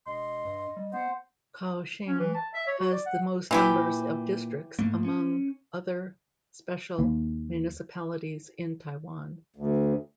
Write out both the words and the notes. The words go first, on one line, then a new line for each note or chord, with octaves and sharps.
Kaohsiung has the most numbers of districts among other special municipalities in Taiwan.
E1 D#5 C6
G2
G3
B3 C5 F#5
C#4
E3
A5
E5
C#5
F#4
D5
F#5
A#2 E3 E4 G4
G#2 A3 A#3
C#4
D#2
D2